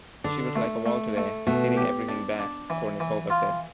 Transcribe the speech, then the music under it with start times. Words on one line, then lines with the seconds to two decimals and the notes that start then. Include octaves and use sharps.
'She was like a wall today, hitting everything back', Kournikova said.
0.24 D3 D4
0.56 A3
0.86 A3
1.17 A3
1.47 B2 A3
1.77 G4
2.09 D4
2.39 D4
2.70 E3
3.00 E3
3.30 F4